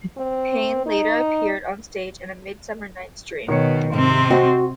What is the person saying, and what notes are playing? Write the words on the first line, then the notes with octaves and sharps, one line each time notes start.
Payne later appeared on stage in "A Midsummer Night's Dream".
C4
D#4
B2 D#3 C#5 C#7
G#2 C3 C4
F#4 C5 D#5 G5